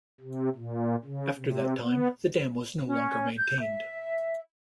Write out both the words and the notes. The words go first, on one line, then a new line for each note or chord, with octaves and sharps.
After that time, the dam was no longer maintained.
C3
A#2
C#3
C3
B3
C#4
G6
E5